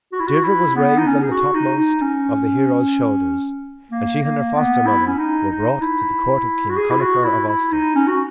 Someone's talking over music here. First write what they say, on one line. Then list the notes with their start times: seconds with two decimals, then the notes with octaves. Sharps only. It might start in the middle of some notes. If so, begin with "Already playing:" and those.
Deirdre was raised on the topmost of the heroes' shoulders and she and her foster-mother were brought to the Court of King Connachar of Ulster.
0.12 F#4
0.20 E4
0.27 F#4
0.43 E4
0.76 B3
0.98 D#4
1.08 C#4
1.22 G#4
1.31 F#4
1.54 D#4
1.79 D#4
2.01 C#4
3.91 A#3
4.23 A#3
4.55 B3
4.86 E4
5.07 C#4
5.18 D#4
5.50 D#4
5.81 E4
6.70 F#4
6.77 G#4
6.91 E4
7.01 F#4
7.24 E4
7.48 E4
7.72 D#4
7.96 C#4
8.08 F#4